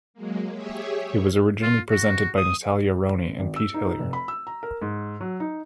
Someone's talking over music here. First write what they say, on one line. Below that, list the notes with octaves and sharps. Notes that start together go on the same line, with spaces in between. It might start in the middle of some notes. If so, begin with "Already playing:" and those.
It was originally presented by Nataylia Roni and Pete Hillier.
F#3 G#3 A#3
G4 G#4 C#5 E5
C#5
F4
F#4
D#6
G#1
E6
D#4
D#4
F1
B5
E6
A#5
A#4
G#2
F#3
D#4